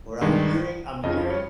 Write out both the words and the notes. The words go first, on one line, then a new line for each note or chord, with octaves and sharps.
or I'm hearing I'm hearing
G2 D#3 G#3
F2 C#3 F3 D#5
C#5